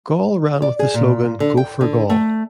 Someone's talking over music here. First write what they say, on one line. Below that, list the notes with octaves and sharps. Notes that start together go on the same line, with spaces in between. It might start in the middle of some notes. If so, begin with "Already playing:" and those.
Gaul ran with the slogan Go For Gaul!
D5
G#4
A#2
D3
G5
D3
A3